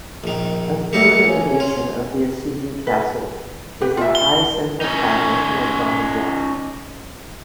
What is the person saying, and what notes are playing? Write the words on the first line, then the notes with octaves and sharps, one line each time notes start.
A third innovation of the Azuchi Castle was the high central tower, or "donjon".
A#1 D#3
A3 A#3 D#4 C#7
C#4
F4
B4
G4 B4 G5
F4 E5
G7
C#4 D#4